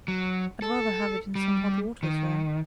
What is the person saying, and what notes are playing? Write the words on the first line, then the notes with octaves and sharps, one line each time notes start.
"I'd rather have it in some hot water, sir."
F#3
A4
G3
D#3